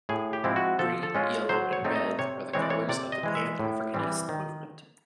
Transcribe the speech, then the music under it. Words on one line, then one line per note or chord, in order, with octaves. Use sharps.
Green, yellow and red are the colours of the Pan-Africanist movement.
A2 G#4
G4
F3 G#3 C4 E4
F#4
F3 A4
A4
G#3 C#4 F4
F#3 C5
C#5
A3 C4 D#4
D#5
C3 C#5
E3 G#3 C4 C#5
D5
C#5
C3 D5
D#5
E3 G#3
E5
A2
E3 G3 C4
D#3